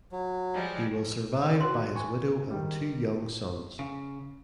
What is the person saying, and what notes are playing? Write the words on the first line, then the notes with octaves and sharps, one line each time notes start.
He was survived by his widow and two young sons.
F#3
F3 G3 G#3
F#4 B4 C6
G#5 C#6
D#3 G3
C#3